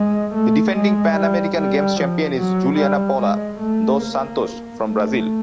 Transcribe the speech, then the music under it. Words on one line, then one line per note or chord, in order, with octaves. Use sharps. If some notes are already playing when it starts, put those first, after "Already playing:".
The defending Pan American Games champion is Juliana Paula dos Santos from Brazil.
Already playing: G#3
A3
G#3
G3
G3
F3
F#3
G3
G#3
A3
A#3
A3